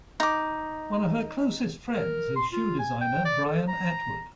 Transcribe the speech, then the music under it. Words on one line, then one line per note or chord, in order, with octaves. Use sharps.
One of her closest friends is shoe designer Brian Atwood.
D#4 D6
A#4
C6
F4
G#5
G5
D5
A4
A#5